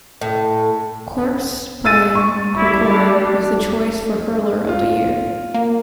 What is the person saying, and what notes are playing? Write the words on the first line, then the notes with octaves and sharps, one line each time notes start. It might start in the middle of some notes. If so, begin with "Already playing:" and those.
Cork's Brian Corcoran was the choice for Hurler of the Year.
A2
E6 A6 D#7
C#6
G3 E4
D4
F4
A#3